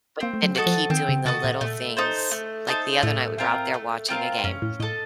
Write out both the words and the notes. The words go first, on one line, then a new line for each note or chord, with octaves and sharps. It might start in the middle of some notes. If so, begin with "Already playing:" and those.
but then to keep doing the little things, like, the other night, we were out there watching a game,
A#3 C4
A3
F#3
F#4 A4 D#5
F3
D#3 C4
C#3
C3 F#4 A4 D#5
A#2
A#2 A3
D#4 A4 C5
A3
D#4 A4 C5
A2 A3
C4 F4 A#4
A3
C4 F4 A#4
F#2 C#4
A2
A2 A4 D#5